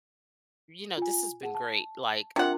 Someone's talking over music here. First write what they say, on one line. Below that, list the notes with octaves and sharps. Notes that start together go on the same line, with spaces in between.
you know, this has been great, like,
F4 G#5
G#4 F#5 A5
A5
C3 D4 F4 A#4 F#5